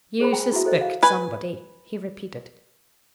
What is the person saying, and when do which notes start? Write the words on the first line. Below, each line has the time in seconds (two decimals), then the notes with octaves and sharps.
"You suspect somebody," he repeated.
0.20 G#4 C5 A#5 B5
0.33 G5 G#5 A#5
0.52 E4 F#4 B4 E5
0.65 A4 C5 D#5
0.81 F5
1.03 B4 G#5